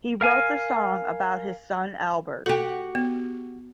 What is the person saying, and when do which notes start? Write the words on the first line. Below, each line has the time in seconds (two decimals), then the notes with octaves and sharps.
He wrote the song about his son Albert.
0.21 A#4 F5 G#5
2.46 F#4 G4 A4
2.95 B3